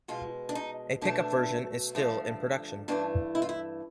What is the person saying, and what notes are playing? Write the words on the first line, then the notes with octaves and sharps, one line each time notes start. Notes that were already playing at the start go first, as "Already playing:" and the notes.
A pick-up version is still in production.
B2 G#3 F4
D4
D#4
B2 F#3 A3 D4
G2 D3 F3 A3
G2 E3 A3 D4
E4
F4
E4